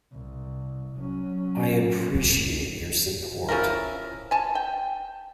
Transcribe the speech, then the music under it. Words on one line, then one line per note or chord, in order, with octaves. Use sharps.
I appreciate your support.
C2
F#3 C#4
F3 C#4 E4 A#4
G#5 A5
G5